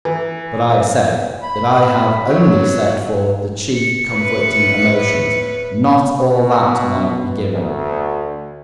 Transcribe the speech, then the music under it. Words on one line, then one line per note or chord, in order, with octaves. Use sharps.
But I have said, that I have only set forth the chief conflicting emotions, not all that might be given.
E3
B5
F#3
C#7
A2 B4
B2
D2